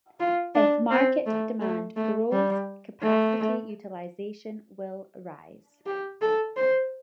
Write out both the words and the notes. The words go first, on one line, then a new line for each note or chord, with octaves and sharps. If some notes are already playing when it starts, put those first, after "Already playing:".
If market demand grows, capacity utilization will rise.
F4
D4
C4
A3
A3
A3
G3
A3
G4
A4
C5